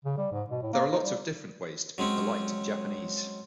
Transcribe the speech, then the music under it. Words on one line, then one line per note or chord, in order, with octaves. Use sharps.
There are lots of different ways to be polite in Japanese.
C#3
G3
G#2
B2
A2
A#3
D#4
G3
F#3 G#3 C4 C#4